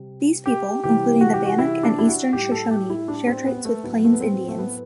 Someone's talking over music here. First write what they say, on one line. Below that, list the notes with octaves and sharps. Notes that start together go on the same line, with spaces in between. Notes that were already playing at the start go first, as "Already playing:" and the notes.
These people, including the Bannock and Eastern Shoshone share traits with Plains Indians.
Already playing: C3 G3
G4
C3 E3 G3 G4
F#4
G4
F#4
E4
D4
E4
F#4
A2 G3 G4
A4
G4
E4
D4
C4
B3
A3
A2 F#3 B3
A3
B3
C4
A3
B3